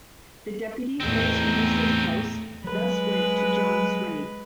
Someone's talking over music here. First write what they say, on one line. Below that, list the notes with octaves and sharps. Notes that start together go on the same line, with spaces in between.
The Deputy First Minister's post thus went to John Swinney.
E2 A2 A3 C4 D#4
F#3 G#3 B4